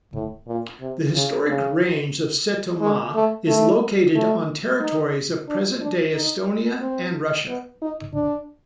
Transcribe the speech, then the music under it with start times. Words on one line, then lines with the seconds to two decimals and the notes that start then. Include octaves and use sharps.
The historic range of Setomaa is located on territories of present-day Estonia and Russia.
0.14 A2
0.47 A#2
0.81 C3
1.15 C#3
1.48 C#3
2.81 G#3
3.15 A3
3.47 A3
4.15 A3
4.81 D#4
5.48 D4
5.82 D4
6.14 D#4
6.81 C4
7.48 B3
7.82 D#4
8.14 D4